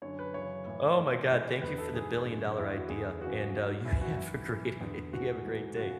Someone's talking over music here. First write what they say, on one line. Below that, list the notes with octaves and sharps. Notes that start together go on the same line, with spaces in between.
Oh my god. Thank you for the billion-dollar idea, and, uh, you have a great day you have a great day.
F#2 D3 C#5
B4
F#2 C#3 E3 C#5
A2 E3
A2 E3
A2
E3
E2 D3 B4
A4
G#2 E3 G#4
F#2 D3
E2 D3 E4
F#4
E2 D3 G#4
F#2 C#3 E3 F#4
G#2 E3
F#2 E3 E4
F#4
G#2 E3 E4
F#2 E3
E2 D3
G#2 E3 F#4
G#2 E3
C#3 E3 F#4